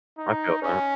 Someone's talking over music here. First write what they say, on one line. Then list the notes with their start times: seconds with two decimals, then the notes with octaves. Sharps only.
I feel that.
0.18 D#4
0.62 C#4